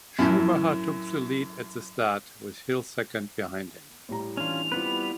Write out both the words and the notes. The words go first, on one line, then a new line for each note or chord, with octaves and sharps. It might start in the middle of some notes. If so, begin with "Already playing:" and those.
Schumacher took the lead at the start, with Hill second behind him.
F#2 A2
A2 G3 A#5
E3 C#4 D4 F4 F7
G3 B3 C4 E4 F4 B4